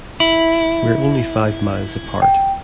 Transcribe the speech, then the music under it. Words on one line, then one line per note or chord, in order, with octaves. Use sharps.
We're only five miles apart.
E4 F#7
G5